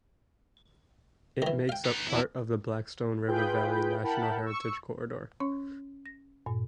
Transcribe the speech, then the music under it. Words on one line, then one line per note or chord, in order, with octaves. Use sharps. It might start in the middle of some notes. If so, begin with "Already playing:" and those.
It makes up part of the Blackstone River Valley National Heritage Corridor.
D#3 E3
F5 G5
B3 D#4
E2 E3 E4
F4 G#4 B4 G5 B5 G6
E4 A#4 F#5 G5 A5 B5
C#6 E6
C#4 C#5 C#6
A#6
G2 A#2